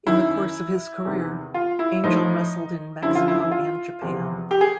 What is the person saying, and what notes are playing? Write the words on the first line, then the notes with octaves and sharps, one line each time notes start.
In the course of his career, Angel wrestled in Mexico and Japan.
F#2 D#3 E4
E2 C3 D#3
F4
E4
A2 F3 D#4
F#2 D3 F3 E4
F4
E4
E4
F4
E2 C3 F3
G4
G#4